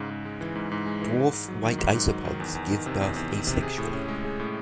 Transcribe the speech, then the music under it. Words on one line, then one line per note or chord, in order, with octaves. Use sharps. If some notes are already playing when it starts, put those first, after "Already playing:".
Dwarf white isopods give birth asexually.
Already playing: G#2 C#3
G#2
G#3
E3
G#2
G#2
G#3
E3
G#2
G#2
F#3
D#3
G#2
G#2
F#3
D#3
E2
E2
D#3
C3
E2
E2
D#3
C3
G#4
A2
C#4
G#3
G#4
A2